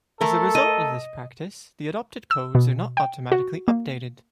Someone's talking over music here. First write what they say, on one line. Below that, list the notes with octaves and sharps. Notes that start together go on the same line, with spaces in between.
As a result of this practice, the adopted codes are not automatically updated.
A3 A4 A#4
D#5
E6
B2
G5
F#4
A#3